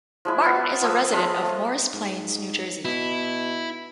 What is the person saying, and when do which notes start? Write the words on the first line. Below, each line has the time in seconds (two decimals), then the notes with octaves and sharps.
Martin is a resident of Morris Plains, New Jersey.
0.25 F3 G#3 E4
0.42 B3 F4 E5
0.82 F3 D#5 E5
1.12 F3 G#3
1.42 A3
1.93 G#2
2.85 B2 E4